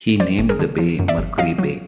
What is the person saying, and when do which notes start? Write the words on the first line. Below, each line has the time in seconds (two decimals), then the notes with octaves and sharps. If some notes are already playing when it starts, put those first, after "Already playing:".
He named the bay Mercury Bay.
0.20 F3 C5 D5
0.39 G1
0.49 G#4 A#4
0.59 D3
0.78 F3
0.99 F#2
1.08 D5 E5
1.18 G1
1.38 F#3 D#5 F5
1.58 F#3